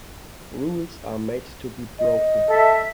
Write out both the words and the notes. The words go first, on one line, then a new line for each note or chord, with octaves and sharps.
Rules are made to be broken.
D#5
A4 E5